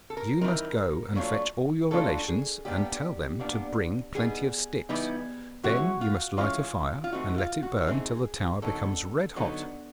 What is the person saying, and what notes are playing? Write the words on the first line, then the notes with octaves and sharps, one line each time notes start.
'You must go and fetch all your relations, and tell them to bring plenty of sticks; then you must light a fire, and let it burn till the tower becomes red hot.
A4
A#4
E3 G3 C4 D#4 A#4
A#2 F#3 A3 D4 F4
A#2 F#3 A3 D4 F4 A4
G#4
A#2 G3 B3 D4 G4
A#2 G3 B3 D4
E3 G3 B3 D#4 G#4
E3 G3 B3 D#4
E3 G#3 C#4 F#4
F4
E3 G#3 C#4 F4
F4
E3 A3 C4 D#4 F#4
F4
F#4
E3 A3 C4 D#4 G#4
D3 F#3 B3 D#4 A4
D3 F#3 B3 D#4